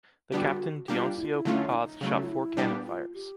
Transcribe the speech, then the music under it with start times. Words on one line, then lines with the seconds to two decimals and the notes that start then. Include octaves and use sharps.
The captain Dionisio Capaz shot four cannon fires.
0.32 D3 G3 B3 D4 F#4 G4
0.88 G3 A#3 D4 F4 G4
1.17 E4
1.25 F4
1.34 E4
1.45 D3 F#3 A3 C#4 F4
1.68 E4
1.73 D#4
2.01 C#3 F#3 A3
2.22 F4
2.29 E4
2.57 A#2 G3 B3 D4 G4
2.86 F4
3.14 G4